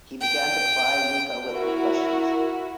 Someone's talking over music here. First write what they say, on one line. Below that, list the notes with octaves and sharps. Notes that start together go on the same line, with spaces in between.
He began to ply Luca with questions.
G5
E4 F#4 A#4